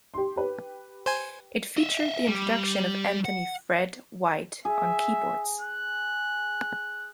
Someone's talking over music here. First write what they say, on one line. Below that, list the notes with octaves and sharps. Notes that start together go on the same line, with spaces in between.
It featured the introduction of Anthony "Fred" White on keyboards.
G4 C6
G4 B4
C5 G#5
D#5 E5
G3
F#5
G#4 E5
F#6